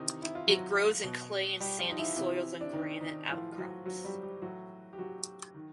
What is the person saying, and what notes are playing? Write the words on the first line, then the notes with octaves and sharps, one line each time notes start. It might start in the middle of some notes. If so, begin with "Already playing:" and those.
It grows in clay and sandy soils on granite outcrops.
Already playing: C3 D#3 E3 D#4
E4
F4
F#3 F#4
B2
G3 G4
F3 F4
D#4
E3 E4
C3 E3
D4
D#3 D#4
D#3 D#4
A2 E3 F3 F4
F4
F#3 F#4
F#3 F#4
G3 G4
G3 G4
A2 E3 F#3 F#4
G4
F#3 F#4
D#3